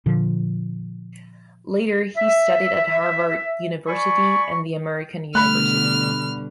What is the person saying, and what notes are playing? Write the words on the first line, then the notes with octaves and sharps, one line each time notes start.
Later he studied at Harvard University and the American University.
A#2 D3 F3
E5
D5 G#5 B5 C#6
B2 D3 G3 A3 B5 F6 F#6